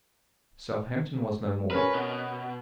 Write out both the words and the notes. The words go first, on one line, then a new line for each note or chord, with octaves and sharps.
Southampton was no more.
C#4 A#4 B4
B2